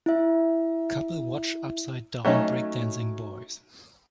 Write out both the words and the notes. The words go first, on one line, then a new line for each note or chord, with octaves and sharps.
Couple watch upside down breakdancing boys.
E4 E5
F#3 A3 C#4 D#4